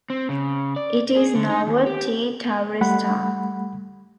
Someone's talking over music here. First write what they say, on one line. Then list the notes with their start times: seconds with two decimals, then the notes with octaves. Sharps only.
It is now a T Tauri star.
0.10 C4
0.29 C#3
0.76 D5
1.16 G#4
1.35 D3
1.49 D#4
1.67 D#2
1.86 G4
2.81 G3 A3 F#5 B5